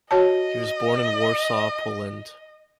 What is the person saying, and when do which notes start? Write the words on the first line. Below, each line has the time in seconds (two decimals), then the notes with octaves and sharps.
He was born in Warsaw, Poland.
0.11 F#4 C#5 D#5 A5